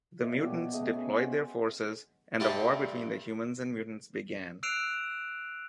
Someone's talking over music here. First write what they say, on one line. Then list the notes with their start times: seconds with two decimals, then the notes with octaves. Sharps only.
The mutants deployed their forces, and the war between the humans and mutants began.
0.21 A#2 C#5 D#5 E5
0.41 B2 G4 C#6
0.54 B3
0.73 C#3 A3 D#5 E5
0.93 C#4 G#4 B4 C#5
1.16 C5 F#5
2.40 G2 D3 G3 A3 D4
4.63 E6 F#6 C7 D7 E7 F7